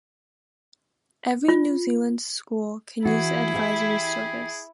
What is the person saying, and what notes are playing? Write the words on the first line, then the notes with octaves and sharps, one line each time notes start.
Every New Zealand school can use the Advisory Service.
F4
E3 E4 F#4 G#4
G4 F5 G5